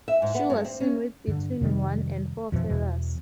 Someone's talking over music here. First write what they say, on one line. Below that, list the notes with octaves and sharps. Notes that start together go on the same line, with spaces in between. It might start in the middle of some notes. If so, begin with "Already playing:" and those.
Shu was seen with between one and four feathers.
E5
G#2
B3
G2
C4
C#4
G2 D3
F2 C3 D#3 G3
F2 B2 E3 F3
E2 B2 E3